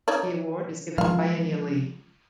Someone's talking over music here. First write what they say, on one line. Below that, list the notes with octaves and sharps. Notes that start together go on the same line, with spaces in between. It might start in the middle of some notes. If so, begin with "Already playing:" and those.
The award is given biennially.
D#4 C#5 D5
F3 G#3 F4 F5